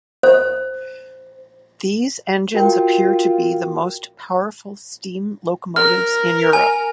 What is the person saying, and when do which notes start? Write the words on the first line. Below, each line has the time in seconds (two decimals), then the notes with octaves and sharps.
These engines appear to be the most powerful steam locomotives in Europe.
0.23 C5
2.54 F4 F#4 A#4 G5
5.76 A#4 F6
6.53 G#5